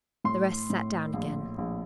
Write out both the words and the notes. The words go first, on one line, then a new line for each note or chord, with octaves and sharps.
The rest sat down again.
A2 C6
A2
A#1
A#1